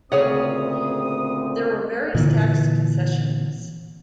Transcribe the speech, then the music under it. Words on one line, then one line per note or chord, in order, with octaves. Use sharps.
There were various tax concessions.
D2 A#2 C#3 C4 G#4 C#5 F#5 D#6
A#2 D3 E3